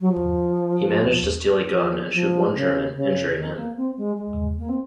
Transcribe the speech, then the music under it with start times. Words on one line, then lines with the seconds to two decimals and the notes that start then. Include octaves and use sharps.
He managed to steal a gun and shoot one German, injuring him.
0.01 F#3
0.12 F3
1.74 F3
2.14 F3
2.55 C#3
2.95 C#3
3.36 D#3
3.56 A#3
3.77 C4
3.97 G#3
4.17 G#3
4.58 A#3
4.69 C4